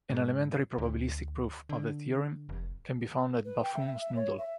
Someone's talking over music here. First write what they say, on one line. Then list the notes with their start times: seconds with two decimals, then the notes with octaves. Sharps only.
An elementary probabilistic proof of the theorem can be found at Buffon's noodle.
0.10 G#2
0.78 D2
1.69 D3
2.49 F1
3.44 B4
3.62 G5
3.74 E5
3.87 E5
4.01 E5
4.15 C#5
4.38 E5